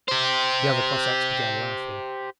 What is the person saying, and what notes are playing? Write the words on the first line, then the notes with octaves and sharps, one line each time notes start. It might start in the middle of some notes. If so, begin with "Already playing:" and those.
The other Cossacks began laughing.
G4 C5